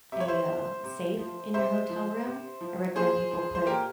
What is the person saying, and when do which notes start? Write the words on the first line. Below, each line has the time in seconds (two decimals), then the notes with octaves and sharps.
a, uh, safe in your hotel room, I recommend people put
0.12 C3 E5
0.20 C#5
0.28 C5 E5
0.48 F3
0.84 C3
1.19 F3
1.54 C3 C5 E5
1.89 F3
2.25 C3
2.61 F3
2.96 A#2 G#4 C5
3.31 F3
3.55 C5
3.67 A#2 G4 A#4